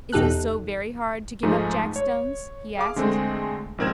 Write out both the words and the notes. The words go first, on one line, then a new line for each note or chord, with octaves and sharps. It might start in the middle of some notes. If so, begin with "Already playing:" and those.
"Is it so very hard to give up jack-stones?" he asked.
E2 B2 D#4 G4 A4 F#6
G#2 F3 G#3 A3 D#4
C#5
G#4 F5 D6
D3 G#3 A3 C4
A#1 G#2 C4 A#4 G#6 E7